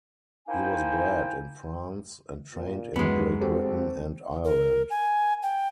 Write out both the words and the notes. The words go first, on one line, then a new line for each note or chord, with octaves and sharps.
He was bred in France and trained in Great Britain and Ireland.
A#3 D#4 E4 C5 G5 G#5
A#2
F#2 E3 G#3 B3 F#4
C4 F#4 G4 A4
A#4
G#5
G5